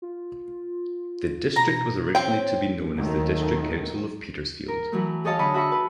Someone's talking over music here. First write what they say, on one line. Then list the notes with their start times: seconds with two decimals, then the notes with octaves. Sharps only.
The district was originally to be known as the District Council of Petersfield.
0.02 F4
1.56 B2 A#5
2.15 C4 C#5 G5
2.95 D#2 D#3 F#3 A3
4.68 A#4
4.92 E3 F#3 A3
5.25 G#4 A4 C#5 D#5 F5 A5
5.39 D3 D#5 B5 C#6
5.54 F#4 E5 B5 C#6
5.72 B4